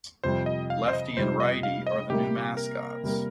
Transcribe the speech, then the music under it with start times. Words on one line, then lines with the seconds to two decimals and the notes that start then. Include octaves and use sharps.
Lefty and Righty are the new mascots.
0.24 F2 C3 G3 C5
0.46 D#5
0.70 F5
0.88 C5
0.93 D#5
1.17 F2 C3 G3 C5
1.40 D#5
1.63 F5
1.87 D#5
2.10 C3 G3 A#3 G4
2.57 A#4
3.03 C3 G3 A#3